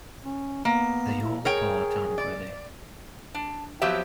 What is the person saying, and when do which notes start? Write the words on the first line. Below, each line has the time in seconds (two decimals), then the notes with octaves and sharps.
They all part angrily.
0.24 C#4
0.65 A#3 B3
1.22 E4
1.45 G#4 A#4 C#5 G5
2.18 D5
3.34 D4
3.82 F3 F#3 B3 C4 G4 E5